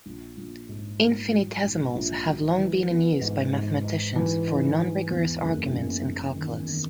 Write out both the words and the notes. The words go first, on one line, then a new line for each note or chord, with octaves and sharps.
Infinitesimals have long been in use by mathematicians for non-rigorous arguments in calculus.
A#1
A#1
G#2
G#2
F#3
A#1
A#1
F#3
E3
B3
G#2
G#2
D#4
E3
D#4
E3
E2
F#1
F#1
F#1
D#3
D#3